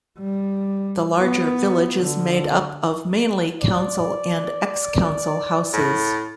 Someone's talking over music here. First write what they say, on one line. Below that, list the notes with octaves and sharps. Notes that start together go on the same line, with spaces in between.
The larger village is made up of mainly council and ex-council houses.
G3
B3
D3
D5
A2